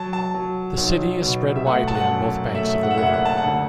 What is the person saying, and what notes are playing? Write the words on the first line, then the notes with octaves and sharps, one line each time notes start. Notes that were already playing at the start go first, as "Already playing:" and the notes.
The city is spread widely on both banks of the river.
Already playing: F#3 A5
A5
F#3
B1
B2
E5
A3 F#5
A5
F#5
F#2
A3 E5
F#5
E5
F#1 F#5
F#5
A5
D2 F#5